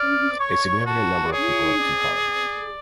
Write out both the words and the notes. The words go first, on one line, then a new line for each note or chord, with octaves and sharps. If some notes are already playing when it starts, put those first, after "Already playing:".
A significant number of people have two cars.
Already playing: D5 F6
D6
C#5 C#6
F#4 A5
D5
G#4 C#5
D5